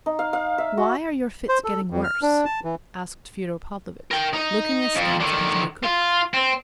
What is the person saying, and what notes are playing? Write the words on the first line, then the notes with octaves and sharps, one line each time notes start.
"Why are your fits getting worse?" asked Fyodor Pavlovitch, looking askance at his new cook.
D#4
F5
F5
E5
F#4
C5
A4
F2
F6
D4
A5
E3
A#4 G5
D#4
F2
D3 D#3
F4
C4